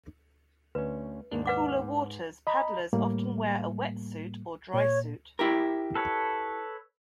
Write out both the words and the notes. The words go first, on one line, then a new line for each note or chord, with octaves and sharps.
In cooler waters, paddlers often wear a wetsuit or drysuit.
D2 C#4 B4
D#2 G#2 D4
B4 F#5 D6
G#2
D#5 A#5 B5
A2 G3 A#3
A#2 C#5
E4 G4 A#4
A4 B4 C#5